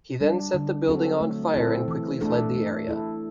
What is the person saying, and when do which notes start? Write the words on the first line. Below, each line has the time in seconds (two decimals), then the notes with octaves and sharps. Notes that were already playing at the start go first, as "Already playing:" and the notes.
He then set the building on fire and quickly fled the area.
0.21 G3 D4
0.54 D3
0.88 F#3 C4 F#4 A4
1.21 A3
1.54 C4 E4 A4
1.88 E3
2.21 A3 D4 A4
2.55 A3
2.88 E4 A4